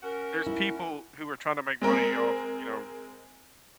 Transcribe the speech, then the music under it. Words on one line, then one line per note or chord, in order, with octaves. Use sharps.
there's people who are trying to make money off, you know,
C#4 F#4 A#4
E4
G#3 C4 A#4